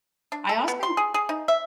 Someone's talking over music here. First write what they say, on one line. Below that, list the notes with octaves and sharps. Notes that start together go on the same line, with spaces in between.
I also
D4
A4
B3
C6
G#4
G#4
D#4
E5